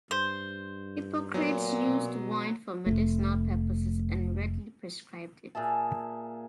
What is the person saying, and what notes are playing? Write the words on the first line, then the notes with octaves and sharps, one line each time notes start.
Hippocrates used wine for medicinal purposes and readily prescribed it.
G2 C5
A#2 F#3 B3
B2
F1 E2 A3
A#2 G#4 E5 A5